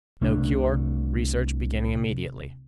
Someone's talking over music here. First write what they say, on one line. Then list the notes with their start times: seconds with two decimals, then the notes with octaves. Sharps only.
No cure, research beginning immediately.
0.21 C2 A3 D4